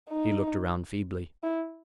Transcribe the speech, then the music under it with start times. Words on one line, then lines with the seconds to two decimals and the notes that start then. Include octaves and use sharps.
He looked around feebly.
0.10 D#4
1.43 E4